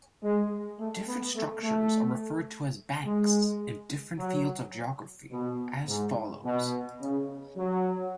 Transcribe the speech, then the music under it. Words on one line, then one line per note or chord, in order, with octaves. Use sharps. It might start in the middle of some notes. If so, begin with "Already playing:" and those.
Different structures are referred to as "banks" in different fields of geography, as follows.
G#3
A3
B3
A3
A3
G#3
F#3
B2
G#2
B2
C#3
F#3